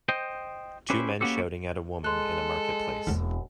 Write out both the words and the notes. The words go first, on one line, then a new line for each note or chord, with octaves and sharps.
Two men shouting at a woman in a marketplace.
C5 D#5 G5
C#4 E4 G4 B4 C5
A#3 B3 C#4 F#4 G4 A4
G#3 A4 C6 F#6
E1 A#3